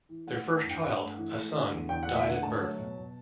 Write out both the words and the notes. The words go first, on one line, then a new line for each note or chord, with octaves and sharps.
Their first child, a son, died at birth.
E3
A3 F#5
E3 B5
A5
G2
G5
G2 F#5
A3
E3
A3
D3
E2
E2 G5
A3 F#5
E5
D3 F#5
A3 A5
F#3
B2
B2